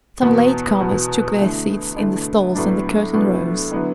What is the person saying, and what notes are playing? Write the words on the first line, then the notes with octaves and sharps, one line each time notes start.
Some latecomers took their seats in the stalls, and the curtain rose.
E2 B2 B3 F#4
E2 B2 B3 F#4
D3 A3 E4
D3 A3 E4
A2 F#3 B3 D4
A2 F#3 B3 D4
D3 F#3 B3 E4